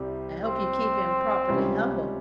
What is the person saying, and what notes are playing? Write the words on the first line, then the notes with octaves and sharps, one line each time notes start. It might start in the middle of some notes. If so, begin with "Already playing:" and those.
I hope you keep him properly humble.
Already playing: C2 C3 G3
C4
C#2 C3 G3 C#4 F4